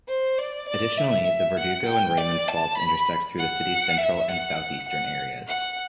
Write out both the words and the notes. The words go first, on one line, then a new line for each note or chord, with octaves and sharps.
Additionally, the Verdugo and Raymond faults intersect through the city's central and southeastern areas.
C5
D5
D5
E5
F#5
G5
D5
A5
B5
F#5
E5
F#5
F#5
F#5